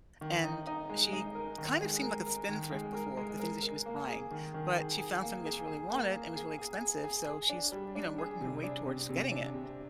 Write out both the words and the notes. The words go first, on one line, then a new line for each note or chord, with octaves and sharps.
and, she kind of seemed like a spend thrift before- the things that she was buying- but she found something that she really wanted and was really expensive. So she's, you know, working her way towards getting it.
D#3
D#4
D#4
G#3
D#4
A#4
D#3
G#3
A#4
A#4
D#3
G#3
A#4
G#3
A#4
A#4
A#3
G#4
D#3
D#3
G#4
G#4
A#3
G#4
G#4
A#3
A#3
G#4
G#4
G#4
G#4
G#4
D4
G3
D4
G#4
C3
D4
C3
C3
D4
C3